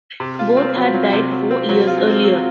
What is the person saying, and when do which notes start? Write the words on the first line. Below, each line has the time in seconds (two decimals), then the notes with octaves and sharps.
Both had died four years earlier.
0.20 C3
0.39 F4
0.57 C4
0.76 F#3
0.94 F#3
1.13 C3
1.32 F#3
1.51 C4
1.69 F#3
1.87 F4
2.06 C4
2.24 C4